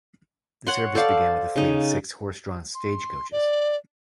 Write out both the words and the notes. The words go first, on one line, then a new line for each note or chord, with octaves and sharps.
The service began with a fleet of six horse-drawn stagecoaches.
C#5 F#5 C6
A4 C5 D5 F5
C#3 D#4
C6
D5